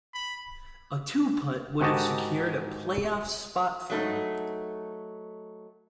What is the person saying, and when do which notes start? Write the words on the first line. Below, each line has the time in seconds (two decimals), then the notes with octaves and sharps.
A two-putt would have secured a playoff spot for him.
0.14 B5
1.81 G#2 D#3 F#4 G4 D#5 A5
3.90 F#3 A3 D#4